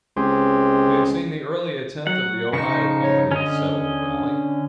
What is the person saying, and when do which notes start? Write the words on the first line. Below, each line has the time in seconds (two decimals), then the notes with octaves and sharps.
We have seen the early attempt of the Ohio Company to settle the valley.
0.17 C#2 G#3 C4 G4
2.07 F#3 F#5
2.53 C#3 F3 D#4 C#6
3.04 C#5
3.31 D3 C#4 D#5